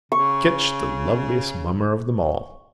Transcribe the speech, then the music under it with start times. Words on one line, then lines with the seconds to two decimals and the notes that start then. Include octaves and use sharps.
Kinch, the loveliest mummer of them all!
0.12 C#3 C#6